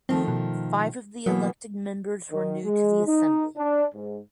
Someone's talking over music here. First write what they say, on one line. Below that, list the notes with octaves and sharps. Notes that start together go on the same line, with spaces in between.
Five of the elected members were new to the Assembly.
D#3 F3 A3 C4
B2
B2 E3 F#3 A#3
D#3
G#3
D#4
D4
G#2